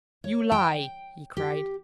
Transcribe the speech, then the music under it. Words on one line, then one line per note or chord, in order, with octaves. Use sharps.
"You lie!" he cried.
C#5
G5
G4